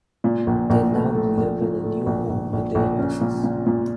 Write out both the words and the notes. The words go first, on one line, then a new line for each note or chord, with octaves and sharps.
They now live in a new home with their horses.
A#2
A#1
A#1
A3
A3
A#1
A#2
A3
A#1
A#1
A#1
A#1
C#4
A#2
A#2
A#2